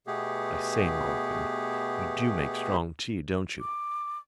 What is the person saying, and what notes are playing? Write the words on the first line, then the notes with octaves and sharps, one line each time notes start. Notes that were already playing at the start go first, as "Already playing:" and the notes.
But, I say, Mulligan, you do make strong tea, don't you?
B2 A3 B3 G4 G#4
D6